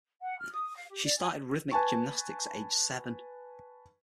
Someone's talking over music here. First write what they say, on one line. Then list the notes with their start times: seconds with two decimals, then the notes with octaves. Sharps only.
She started rhythmic gymnastics at age seven.
0.22 F#5
0.39 F6
0.52 D#6
0.75 F5
0.89 G4
1.04 D5
1.17 G#5
1.71 B4 G#5 A5 C#6